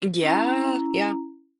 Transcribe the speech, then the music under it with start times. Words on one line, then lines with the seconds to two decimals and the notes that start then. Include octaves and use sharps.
Eh, g yeah, yeah.
0.22 C#4 E4 A#5